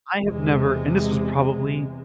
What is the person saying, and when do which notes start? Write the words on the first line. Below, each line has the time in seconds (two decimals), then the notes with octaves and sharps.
I have never, and this was probably
0.23 E2 C3 G#3